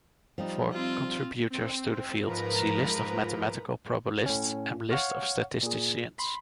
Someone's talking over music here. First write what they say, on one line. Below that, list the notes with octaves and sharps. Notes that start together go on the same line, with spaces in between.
For contributors to the field, see list of mathematical probabilists and list of statisticians.
F3 G3 D#4
C4 F4
C4
G#2 F3 A#4 B4 A#5
A2 C#4
C#5 F5 F#5 C#6 F6
A#2 G#4
B5 C6 B6